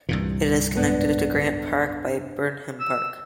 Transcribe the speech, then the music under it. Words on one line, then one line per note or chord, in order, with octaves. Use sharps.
It is connected to Grant Park by Burnham Park.
C2 G2 A#2 E3
F#1 G#2 G#3 B3 D4
E6